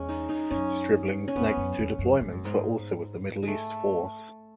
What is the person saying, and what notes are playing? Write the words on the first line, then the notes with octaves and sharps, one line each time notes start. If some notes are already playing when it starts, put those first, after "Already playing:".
"Stribling"'s next two deployments were also with the Middle East Force.
Already playing: E2 G#3 C#4
D#4
D#4
F#2 C#4
C#4
E2 B3
F#2
E2
F#2
G#2
F#2
G#2
G#3 A3